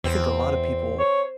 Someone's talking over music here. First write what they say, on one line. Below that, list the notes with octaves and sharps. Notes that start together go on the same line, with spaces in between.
I think a lotta people,
E2 C4
C#5